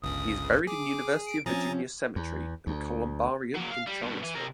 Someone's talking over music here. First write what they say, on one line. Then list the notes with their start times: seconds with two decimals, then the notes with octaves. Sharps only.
He is buried in University of Virginia Cemetery and Columbarium in Charlottesville.
0.02 G1 C#2 C#3 D#6
0.67 G#4 D6
1.27 D7
1.46 F3 C4 C#4 G#5 A#5 D#6 A6
2.16 E2
2.67 D2
3.55 F#3 A#3
3.71 F5
3.87 G3
4.02 G2 B2
4.23 E3 G#5
4.35 C3 A#4